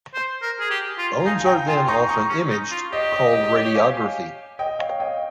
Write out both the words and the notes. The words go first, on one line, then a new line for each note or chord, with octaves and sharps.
Bones are then often imaged, called radiography.
C5
A#4
G#4
G4
F4
A#5
D#4 F5 G#5
G#5
D#4 G5 A#5
F4 G#5 C6
D#4 A#5 C#6
D#4 A#5 C#6
C#4
D#4
F4
G4 D#5
D#5
D#5
C#5
F5 G#5
D#5 G5
C#5 F5
D#5 G5